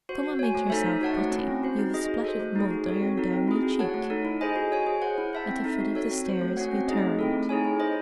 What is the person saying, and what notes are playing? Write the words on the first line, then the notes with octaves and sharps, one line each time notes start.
"Come and make yourself pretty: you've a splash of mud on your downy cheek." At the foot of the stairs he turned.
F#4 C5
F#4
C#5 G#5
A3
D#4 A4 C5 E5
D#4
F#4 C#5 F#5 A5
A3
C#4
E4
C4
F#4 C5
D#4
G#4 D#5
F#4
A4 C5
A3
D#4 G#4
F#4
A4 C#5
C4
D#4 F#4 A4
C4
E4 G#4
F#4
C#5 F#5 A5
A3
D#4 A4
E4
G#4 C5 D#5 G#5
F#4
C#5 G#5
G#4
C5 F#5
E4
C5 E5 A5
C4
D#4 A4
F#4
A4 C#5
C4
F#4 C5
A3
C#4 F#4 C#5 F#5
C4
D#4 G#4 D#5
A3
C4 E4 A4
A3
D#4 G#4 C#5 G#5
E4
C5 D#5